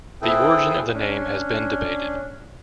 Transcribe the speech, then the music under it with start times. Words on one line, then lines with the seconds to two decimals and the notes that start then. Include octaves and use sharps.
The origin of the name has been debated.
0.22 C4 E4 G#4 A4 B4 G5
0.93 C#4 D4